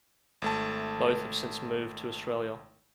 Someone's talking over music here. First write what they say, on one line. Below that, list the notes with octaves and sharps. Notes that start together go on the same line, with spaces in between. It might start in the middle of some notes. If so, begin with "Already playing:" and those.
Both have since moved to Australia.
G#1 A3 A5